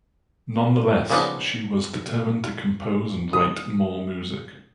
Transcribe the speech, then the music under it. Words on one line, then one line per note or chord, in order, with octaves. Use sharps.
Nonetheless, she was determined to compose and write more music.
A#2 C#3 F3 B3 D4 D#4
D#6